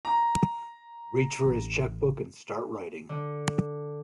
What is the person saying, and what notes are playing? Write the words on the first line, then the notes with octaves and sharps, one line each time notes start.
Reach for his cheque-book and start writing.
A#5
A1
D3